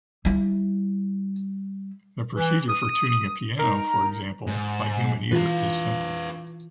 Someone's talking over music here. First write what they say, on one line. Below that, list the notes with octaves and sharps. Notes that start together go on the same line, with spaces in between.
The procedure for tuning a piano, for example, by human ear, is simple.
G3 E4
E3
D#6
D#4 A#4 A#5
G#2
E3 F4 B4 F5